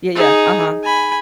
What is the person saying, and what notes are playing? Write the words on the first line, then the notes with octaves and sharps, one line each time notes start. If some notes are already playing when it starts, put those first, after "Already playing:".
Yeah, yeah. Uh-huh.
D#4 G#4
G#5 B5